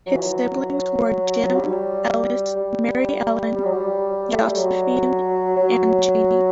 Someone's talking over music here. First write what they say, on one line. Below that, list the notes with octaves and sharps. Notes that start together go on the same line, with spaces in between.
His siblings were Jim, Ellis, Mary Ellen, Josephine and Janie.
F#3
E3
F#3
F#3
G3
G3
G3
F#3
G3
A3
G3
F#3
F#3